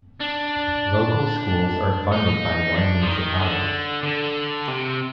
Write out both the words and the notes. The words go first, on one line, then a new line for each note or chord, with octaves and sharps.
Local schools are funded by one municipality.
D4
D#4
D4
F3
D#3
D3
D3
C3